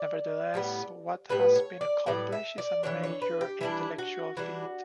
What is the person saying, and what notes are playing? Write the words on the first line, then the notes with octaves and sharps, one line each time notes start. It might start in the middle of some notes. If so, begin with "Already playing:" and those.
Nevertheless, what has been accomplished is a major intellectual feat.
Already playing: D5
A2 G3 B3
A2 G3 B3 B4
C#5
D5
A2 G3 B3 D5
E5
D5
E3 G3 D4 C#5
C#5
B4
G4
E3 G3 D4 E4
F#4
E3 G3 D4 F#4